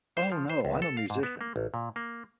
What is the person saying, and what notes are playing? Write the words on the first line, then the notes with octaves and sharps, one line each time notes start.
Oh, no, I'm a musician.
C5
F3
C5
C#2
A4
F5
G#2
B3
A#3
A1
A#2
A#3